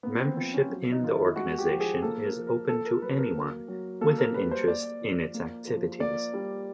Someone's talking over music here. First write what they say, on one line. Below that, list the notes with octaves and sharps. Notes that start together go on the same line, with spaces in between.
Membership in the organization is open to anyone with an interest in its activities.
A#3 B3
C4
F3 C4
C#4
F#3
D#4
D#3 F4
E4
G#3 F#4
G4
F3
G#4
A#3 A4
A#4
F3
A#4
A#3 A4
A#4
F#3 B4
A#4
A#3
F#3
A#3 A4
A#4
G3 B4
C5
A#3 D5
F3
A#3
F3
A#3 D5
G3